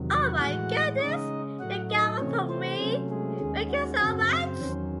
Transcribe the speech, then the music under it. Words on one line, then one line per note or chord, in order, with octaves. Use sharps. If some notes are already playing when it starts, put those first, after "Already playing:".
Oh my goodness! You got one for me! Thank you so much.
Already playing: E2 C3 D#3 F#3
F#4 F#5
A2 E3 G#3 F#4 F#5
C#3 G#3 C#4 D#4 D#5
A2 F#3 A3 F#4 F#5
D#4 D#5
C3 E3 A3 C4 C#4 C#5
C4 C5
C3 F#3 A3 C#4
G#3 G#4
D#2 D#3 G#3 C#4
F#4
F#2 C#3 F#3 C4 F#4
C4 C5
E2 D#3 F#3 C#4